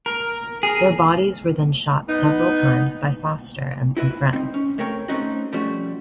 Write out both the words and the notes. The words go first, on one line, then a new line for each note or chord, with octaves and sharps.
Their bodies were then shot several times by Foster and some friends.
A#4
G#4 A#4
B3 D#4
E4 F#4 B4 E5
C2 C4 D#4
C#4
C3 A3 A#4 C#5 G5
A3 A#3 C4 C#4 D#4 F#4
B2 F3 G3 A3 C#4 F#4